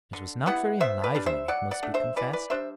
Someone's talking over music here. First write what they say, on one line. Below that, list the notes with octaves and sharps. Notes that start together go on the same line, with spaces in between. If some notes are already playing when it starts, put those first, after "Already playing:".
It was not very enlivening, it must be confessed.
D3
G3 B3 E4 F#5
B2 C5 E5
B4 D5
G3 D4
C5 E5
F#3 D5 F#5
D5 F#5
A3 D4
C5 E5
E3 B4 D5
B4 D5
G3 D4 C5 E5